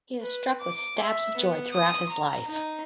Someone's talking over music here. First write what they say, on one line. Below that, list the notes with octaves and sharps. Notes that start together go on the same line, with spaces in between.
He is struck with "stabs of joy" throughout his life.
B4
D6
E5
B3
D#6
A#5
D#4